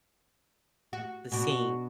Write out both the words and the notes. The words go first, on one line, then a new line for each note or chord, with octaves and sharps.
the same
F#4
B2 D4 F#4